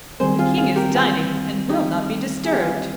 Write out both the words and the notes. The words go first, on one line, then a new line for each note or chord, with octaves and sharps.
The King is dining, and will not be disturbed.'
D#3 G3 C4 G#4 C5
F4 G#4
F4 G#4
G4 A#4
F4 G#4
D#4 G4
G#4
G4
F4 G#4